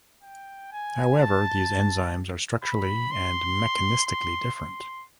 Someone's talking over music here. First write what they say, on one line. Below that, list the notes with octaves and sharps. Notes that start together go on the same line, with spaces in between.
However these enzymes are structurally and mechanistically different.
G5
G#5
A5
B5
C6
C6
C6